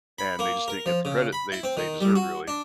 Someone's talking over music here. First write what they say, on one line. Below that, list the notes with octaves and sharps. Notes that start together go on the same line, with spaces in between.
and they just didn't get the credit they they deserved, really.
B5
A#3
A#4
F3
C#3
B5
E4
C4
D#3
G3
F#4
D4